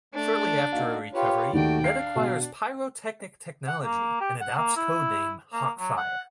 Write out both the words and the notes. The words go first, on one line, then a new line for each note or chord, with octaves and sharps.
Shortly after her recovery, Bette acquires pyrotechnic technology and adopts codename Hawkfire.
A3 D4
A#3 D#4 F#4 F5
F4 G4 B4 C#5
D#2 D#3 A3 F#4 D5 G5
D4 F5 C7
B2
F#5
A#3
G4
F#5
A#3
E4
A#3
F#3
F#5